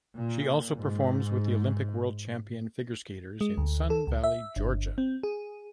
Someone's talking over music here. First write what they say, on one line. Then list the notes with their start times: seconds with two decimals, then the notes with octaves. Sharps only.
She also performs with the Olympic World Champion figure skaters in Sun Valley, Georgia.
0.18 A#2
0.77 G#2
3.41 G#3
3.57 D2
3.90 A4
4.07 C#2
4.24 E5
4.56 G1
4.98 C4
5.23 G#4